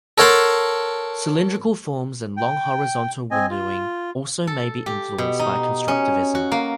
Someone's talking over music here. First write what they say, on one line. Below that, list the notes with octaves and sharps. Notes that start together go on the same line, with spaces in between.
Cylindrical forms and long horizontal windowing also may be influenced by constructivism.
A4 A#4 C#5 F#5 A5 C6
G5
C4 D#5 G#5
F4
A4
G4
B2
D#4
C#4
F#4
A#3